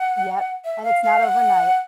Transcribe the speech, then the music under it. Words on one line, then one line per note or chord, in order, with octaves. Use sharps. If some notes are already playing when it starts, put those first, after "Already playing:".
Yep, and it's not overnight.
Already playing: F#5
E5
F5
F5
F#5